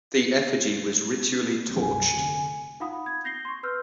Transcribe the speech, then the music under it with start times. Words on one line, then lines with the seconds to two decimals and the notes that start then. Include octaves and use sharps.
The effigy was ritually torched.
1.68 D2 G3 C4
1.81 C#2 G2 C3 G#5
2.17 F1 D3
2.80 D#4 F4 F5 F#5 B5 D#6
3.06 G#6
3.24 G6 A#6 C7 G7
3.45 C6 C#6
3.63 B4 C6 E6 F6 G6